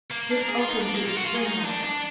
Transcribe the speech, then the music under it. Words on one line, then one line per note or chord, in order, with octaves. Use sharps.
This opened with a spring lock.
A#3
D4
A#4
G#4
F4
D#4
D4
A#3
F4
F#4
F4
G#4
D#4
D4
D4